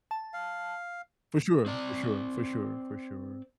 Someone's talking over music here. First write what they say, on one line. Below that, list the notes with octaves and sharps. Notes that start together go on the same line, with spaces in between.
For sure, for sure, for sure, for sure.
A5
F5
C4 D5